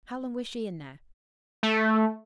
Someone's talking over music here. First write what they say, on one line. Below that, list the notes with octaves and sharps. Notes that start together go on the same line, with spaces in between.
"How long was she in there?"
A3